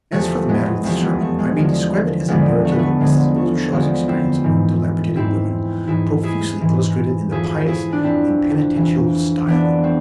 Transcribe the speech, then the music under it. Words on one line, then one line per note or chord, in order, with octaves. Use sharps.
As for the matter of the sermon, I may describe it as a narrative of Mrs. Oldershaw's experience among dilapidated women, profusely illustrated in the pious and penitential style.
E2 C3 F3 A3
G#3 B3
E2 C3 F3 A3 C4
G#3 B3
A3
G#3
E2 D3 F3 G#3
E2 D3 F3 G#3 B3
A3
B3
A3
E2 D3 F3 G#3
A3
E2 D3 F3 G#3 B3
C4 E4
G#2 E3
G#2 E3 C4 E4
G#2 E3 E4 G#4
E4 G#4
G#2 E3
F2 E3 E4 G#4
E4 G#4
D4
F2 E3 C4 E4
F2 E3
F2 E3 B3 D4
A3 C4